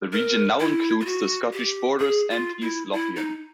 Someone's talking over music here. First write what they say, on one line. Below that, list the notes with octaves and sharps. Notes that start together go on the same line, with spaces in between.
The region now includes the Scottish Borders and East Lothian.
A#4
E4
F4
F#4
G4
G#4
F4
E4
E4
D#4